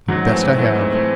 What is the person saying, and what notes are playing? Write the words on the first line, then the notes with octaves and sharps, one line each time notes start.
"The best I have."
G#2 F#3
E3 A3 C4
G#2
E3 A3 C4
G#2
E3 A3 C4